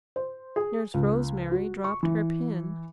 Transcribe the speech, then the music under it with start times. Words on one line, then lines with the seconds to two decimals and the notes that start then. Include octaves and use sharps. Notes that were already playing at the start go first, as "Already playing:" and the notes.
Nurse Rosemary dropped her pen.
0.16 C5
0.56 G#4
0.94 C#2
1.51 F#4
1.84 C#6
2.03 E3